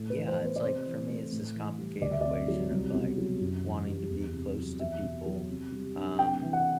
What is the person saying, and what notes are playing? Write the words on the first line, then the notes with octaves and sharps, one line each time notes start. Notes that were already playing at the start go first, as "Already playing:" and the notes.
Yeah, it's like, for me, it's this complicated equation of, like, wanting to be close to people, um,
Already playing: A2
B4
E3
C5
B3 B4
D5
C3 C5
E3
A3
A2
E3
G3
D2 D5
E5
C3 D5
F#3
C2
B2
F#3
F#2
E3
G3
E2
C3
F#3
E2 E5
B2
F#3
C3
G3
D4
C3 G5
E3
F#5